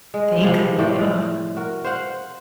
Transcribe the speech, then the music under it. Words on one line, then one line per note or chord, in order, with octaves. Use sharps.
Thankfully, ugh.
G#3
C3 F3 E4
A2 A3 C5 D5
F#4 A#4
C5 F5 F#5